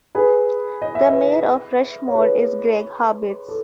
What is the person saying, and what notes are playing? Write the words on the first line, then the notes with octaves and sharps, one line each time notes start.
The mayor of Rushmore is Gregg Harberts.
G#4 B4
D#5
E5
B4 D#5
C#5
G#4 B4
A4